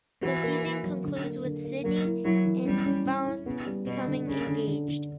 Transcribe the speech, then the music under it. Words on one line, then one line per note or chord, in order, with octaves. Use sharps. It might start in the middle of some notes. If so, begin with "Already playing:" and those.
The season concludes with Sydney and Vaughn becoming engaged.
E3 F#4
A#3
A#3
F#3
D3
A#3
D3
A#3
F#3 A#3
E4
F#3 E4
E3
G3 C#4
C#4
C#4
E4
C#3 B3
G3
B2 G3
D3
C#3 D4
D3
D3
D3